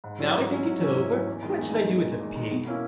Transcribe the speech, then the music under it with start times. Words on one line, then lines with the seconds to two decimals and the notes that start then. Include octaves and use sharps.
Now I think it over, what should I do with a pig?
0.04 G#2
0.20 F#3 C#4 E4
0.35 G#2
0.50 F#3 C#4 E4
0.65 G#2
0.81 F#3 C#4 E4
0.96 G#2
1.12 F#3 C#4 E4
1.27 E2
1.42 D#3 G#3
1.58 E2
1.73 D#3 G#3
1.89 E2
2.05 D#3 G#3
2.20 E2
2.35 D#3 G#3
2.51 B2
2.67 A#3 C#4 E4